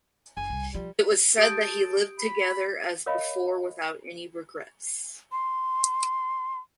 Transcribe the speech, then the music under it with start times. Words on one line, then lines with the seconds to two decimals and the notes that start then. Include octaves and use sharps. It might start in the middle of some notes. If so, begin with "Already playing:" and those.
It was said that he lived together as before without any regrets.
0.37 F#1 G#5
0.50 C2
0.74 F3 G3
1.38 G4 A4 A5 D#6 G6 D7
2.18 B5
3.06 A#4 C#5 D#5 F5 B5
5.32 C6